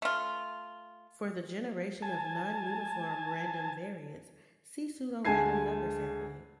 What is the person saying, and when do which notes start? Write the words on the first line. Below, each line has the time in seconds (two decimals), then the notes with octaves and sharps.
For the generation of non-uniform random variates, see Pseudo-random number sampling.
0.02 A3 F4
2.02 G#5 A5
5.25 D2 G#3 G#5 A5 G#6 C7